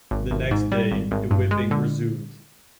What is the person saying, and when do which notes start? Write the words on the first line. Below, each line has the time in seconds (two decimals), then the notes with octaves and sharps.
The next day, the whipping resumed.
0.11 G#1
0.31 G#1
0.51 G#2
0.72 G3
0.91 G#1
1.11 G#1
1.31 G2
1.51 G#3
1.71 D3